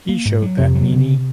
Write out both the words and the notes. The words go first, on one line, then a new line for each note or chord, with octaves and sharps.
He showed that meanie!
A#3
G#2
F#3
F2 C3
F#3
C#3